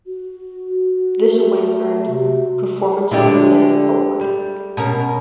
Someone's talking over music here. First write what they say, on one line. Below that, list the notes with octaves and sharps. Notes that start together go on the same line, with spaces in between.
This win earned "Performance of the Night" award.
F#4
A3
C3 F#4
D3 G#3 A3 D4 G4
G3
B2 C#4 A#4